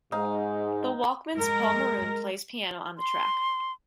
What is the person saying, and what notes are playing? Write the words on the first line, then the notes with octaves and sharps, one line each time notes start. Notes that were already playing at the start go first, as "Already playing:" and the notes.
The Walkmen's Paul Maroon plays piano on the track.
G#2 D#4 F5
G#3 A#4
C6